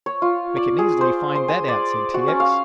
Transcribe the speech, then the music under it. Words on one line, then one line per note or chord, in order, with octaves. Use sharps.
"We can easily find that out," said T. X.
C#5
F4
D5
G#4
C5
C5
G#5
D5
F#4
C#4
F5